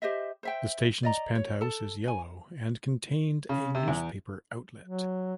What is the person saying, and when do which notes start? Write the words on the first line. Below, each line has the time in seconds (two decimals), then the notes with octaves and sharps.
The station's penthouse is yellow and contained a newspaper outlet.
0.02 G4 C5 D#5 E5
0.43 C5 E5 G5
1.03 D5 D#5 A#5
1.35 C#5
1.61 A4 A5
2.08 G#5
3.49 C#3
3.75 C3
3.88 E2
4.83 F#3